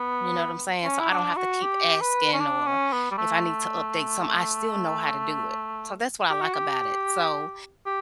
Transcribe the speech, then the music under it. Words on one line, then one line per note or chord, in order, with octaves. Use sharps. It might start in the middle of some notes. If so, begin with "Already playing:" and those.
You know what I'm saying? So I don't have to keep asking or if I need to update some, I still know how to do it. So that's what I like about it. So
Already playing: B3
C#4
E4
D4
F#4
G4
B4
C#4
D4
C#4
B3
G3
A3
G4
F#4
G4
G4